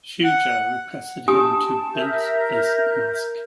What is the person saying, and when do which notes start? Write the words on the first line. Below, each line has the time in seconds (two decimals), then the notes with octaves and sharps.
Shuja requested him to built this mosque.
0.24 F#5
1.28 G4 G#5 A5 D#6
1.94 A#4 E5 G6